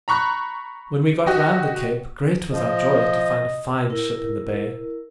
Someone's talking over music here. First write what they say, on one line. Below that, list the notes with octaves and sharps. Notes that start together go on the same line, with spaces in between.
When we got round the cape, great was our joy to find a fine ship in the bay.
A#5 B5 C#6 F#6
F#4 G4 D#5
F3 D#5
E4 A#4